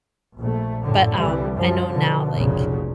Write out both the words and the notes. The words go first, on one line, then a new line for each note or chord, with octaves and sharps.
but, um, I know now, like
A#1 A3
F#2 A2 D3
C2 D3 E3 G3
F#2 F3
B2 D3
F1 B1 A#2 C#3 F#3